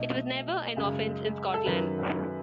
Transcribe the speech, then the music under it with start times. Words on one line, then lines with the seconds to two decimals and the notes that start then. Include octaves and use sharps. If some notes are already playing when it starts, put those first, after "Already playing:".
It was never an offence in Scotland.
Already playing: B1 B2 A3 D#5
0.76 F#2 C#3 G#3
1.54 A4
1.65 F#2 D#3 F#3 B4